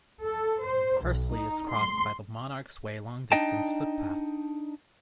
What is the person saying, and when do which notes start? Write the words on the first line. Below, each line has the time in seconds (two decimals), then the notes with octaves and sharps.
Hursley is crossed by the Monarch's Way long distance footpath.
0.24 A4
0.65 C5
1.03 B1
1.34 D#4
1.73 C6
3.32 D4 D#4 D#5 G5 A5